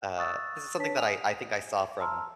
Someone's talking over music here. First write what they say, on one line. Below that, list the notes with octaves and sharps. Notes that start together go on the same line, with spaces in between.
uh this is something that I I think I saw from,
C#6 D#6 E6 F#6 A6
D4 B4 C#5 A5 B6
G#5 D#6 F7
A5 A#5 C6 E6 F6